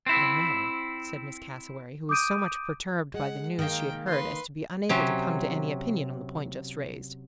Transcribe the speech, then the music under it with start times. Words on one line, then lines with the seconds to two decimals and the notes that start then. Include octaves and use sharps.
"I don't know," said Miss Cassewary, who was so much perturbed by the news she had heard as to be unable to come to any opinion on the point just raised.
0.06 C4 E4
2.09 D6 D#6 G6 D7 D#7
3.14 G#3 F#5
3.59 D#3 A#3 G5
4.07 B4 C6
4.89 C3 F#3 C#4